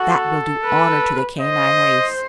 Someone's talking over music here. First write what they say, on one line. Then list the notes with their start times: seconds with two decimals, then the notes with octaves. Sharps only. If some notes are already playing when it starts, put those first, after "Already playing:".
That will do honor to the canine race!
Already playing: F#4 A4
0.65 B4
1.41 C5 D#5